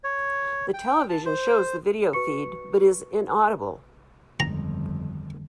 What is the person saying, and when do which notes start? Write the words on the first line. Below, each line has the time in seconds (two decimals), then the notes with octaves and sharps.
The television shows the video feed but is inaudible.
0.04 C#5
0.74 G5
1.09 A5
1.26 C5
2.13 F#4 B4 C#6 C#7
4.40 G1 F2 D3 D#3 G#3 A#5